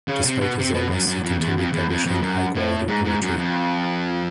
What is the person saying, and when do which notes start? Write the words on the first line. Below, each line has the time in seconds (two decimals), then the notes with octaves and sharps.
Despite his illness, he continued publishing high quality poetry.
0.08 C#3
0.25 C3
0.41 B2
0.59 C3
0.74 B2
0.90 F#2
1.07 F#2
1.24 F2
1.40 E2
1.57 F2
1.73 E2
1.89 F2
2.06 F2
2.22 F#2
2.55 A2
2.88 G#2
3.05 G#2
3.21 F#2
3.37 F2